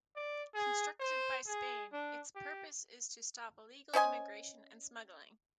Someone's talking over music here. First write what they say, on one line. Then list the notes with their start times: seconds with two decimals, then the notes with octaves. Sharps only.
Constructed by Spain, its purpose is to stop illegal immigration and smuggling.
0.16 D5
0.55 G#4
1.00 C5
1.47 G#4
1.93 D4
2.36 G4
3.93 C#4 C5 D#5 G#5